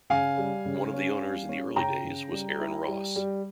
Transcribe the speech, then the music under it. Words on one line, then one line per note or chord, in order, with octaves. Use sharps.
One of the owners in the early days was Aaron Ross.
C#3 F5 G#5
G3
C#3
C#4
G3
C#4
C#3 G5 A#5
C#3
G3
E4
G3
G3